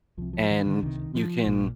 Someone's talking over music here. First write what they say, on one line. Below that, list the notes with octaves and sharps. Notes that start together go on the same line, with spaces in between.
and you can
C2 C3 F3
F3
D#3
D3
C2 C3 D#3
F3
A#1 A#2